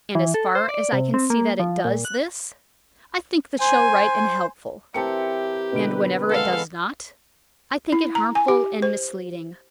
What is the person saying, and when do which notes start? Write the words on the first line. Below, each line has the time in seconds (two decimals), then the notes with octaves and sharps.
And as far as I can see that it does this, I think the show right and helpful; and whenever it does not, I think it harmful and misleading.
0.15 E3
0.34 A4
0.55 C5
0.69 D5
0.93 C3
1.14 C4
1.30 A#3
1.59 F3
1.85 A#2
2.05 F#6
3.60 C5 G#5
4.94 E3 C4 G4 A#4 A5 C#7
5.72 B2 D3 B4 D7
6.29 G#3 B3 A4 F5
7.92 E4
8.15 A#5
8.35 G#5
8.48 G4
8.82 C5